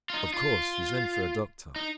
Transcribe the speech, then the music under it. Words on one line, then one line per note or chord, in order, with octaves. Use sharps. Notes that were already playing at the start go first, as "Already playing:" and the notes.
"Of course you sent for a doctor?"
F4
D#4
F4
D#4